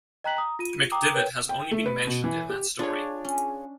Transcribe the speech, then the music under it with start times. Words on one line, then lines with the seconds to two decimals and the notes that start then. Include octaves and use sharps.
McDivot has only been mentioned in that story.
0.24 D#5 G5 A#5 F#6 B6 F#7
0.37 A#5 D#6
0.59 F4 D#7
0.92 G5 A#5 D6 D#6
1.14 A#4 B4 C#5 G5
1.49 G5
1.71 A3
1.86 B4
2.07 B2
2.24 E3
2.49 G4
2.79 D4 F4 G#4 C#5
3.25 C#4